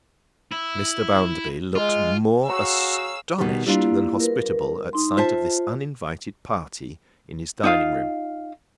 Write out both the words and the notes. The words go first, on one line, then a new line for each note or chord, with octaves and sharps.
Mr. Bounderby looked more astonished than hospitable, at sight of this uninvited party in his dining-room.
E4
G#3 F4
F#4 G#4 C#5 F5 A#5 C#6 E6
B2 D#3 G3
G3 A#3 D4 E4 F4
A#4 B4
D#4 C6
F4 C5 E5 A5
D#4 F4 F5